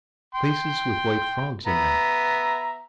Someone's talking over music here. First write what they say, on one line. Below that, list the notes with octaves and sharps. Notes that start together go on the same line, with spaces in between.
Places with white frogs in them.
G5 C6
B3 E5 A#5